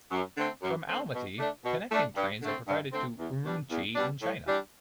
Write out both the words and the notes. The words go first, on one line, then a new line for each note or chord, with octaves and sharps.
From Almaty connecting trains are provided to Urumchi in China.
F#2
D3 A3 C4
F#2
D3 A3 C4
B2
A3 D4
B2
A3 D4
G2
D3 A3 C4
G2
D3 A3 C4
E2
B2 G3 D4
E2
B2 G3 D4
A2
E3 G3 D4